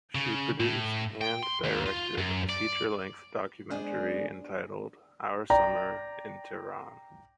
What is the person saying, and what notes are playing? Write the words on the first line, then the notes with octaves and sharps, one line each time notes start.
She produced and directed a feature-length documentary entitled "Our Summer in Tehran".
C#3
A2
G5
C6
D#2
F4
F#2
D5
G#3 B3 D4 G#4 C5 D5
D5 G5 A#5